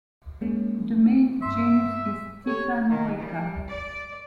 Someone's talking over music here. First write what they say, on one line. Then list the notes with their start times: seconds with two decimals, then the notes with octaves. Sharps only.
The main genus is "Titanoeca".
0.41 G#3 A#3 C#4
1.42 G2 E5 C6
2.47 G4 A4 C#5
2.89 D#3
3.19 G3
3.69 D5